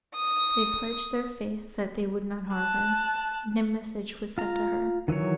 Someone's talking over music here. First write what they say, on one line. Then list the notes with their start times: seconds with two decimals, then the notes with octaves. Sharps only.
They pledged their faith that they would not harm her, and a message was sent to her.
0.16 D#6
2.53 A5 F#6
4.38 F4 A#5
5.08 D#3 E3 F#3 C#5